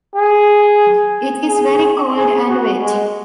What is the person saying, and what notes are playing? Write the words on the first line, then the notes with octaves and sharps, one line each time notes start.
It is very cold and wet.
G#4
G#4
G#4
F#4
G#3